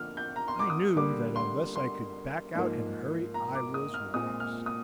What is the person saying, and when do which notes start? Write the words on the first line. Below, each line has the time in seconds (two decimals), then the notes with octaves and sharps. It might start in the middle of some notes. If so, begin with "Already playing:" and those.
I knew that unless I could back out in a hurry, I was lost.
Already playing: D3 F3 A#3 F6
0.17 G6
0.36 A#5
0.48 C6
0.59 D6
0.70 D#6
0.96 D3 G3 A#3 D6
1.36 C6
1.76 C6
2.55 G#2 F3 A#3
3.34 A#5
3.55 D6
3.74 D#6
3.94 F6
4.14 A#2 G#3 C4 D#6
4.40 F6
4.66 D#6